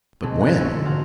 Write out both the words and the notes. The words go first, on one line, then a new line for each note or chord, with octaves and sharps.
"But when?"
B2 C4 G#4 A4
A#5 F#6 G#6
C#6 E6
D3
G#1 F#4 C5 F5